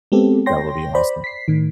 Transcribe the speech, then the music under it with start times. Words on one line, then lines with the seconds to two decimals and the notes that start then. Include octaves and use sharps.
That would be awesome.
0.12 G#3 B3 C4 G4 A4
0.46 C#5 G5 C6 A#6
0.95 C5 D5 B5
1.24 B6 C7
1.48 A2 D#3